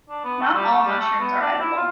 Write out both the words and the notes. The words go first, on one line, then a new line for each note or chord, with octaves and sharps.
Not all mushrooms are edible.
D4
B3
A3
G3
A3
G3
A3
B3
D4
E4
F4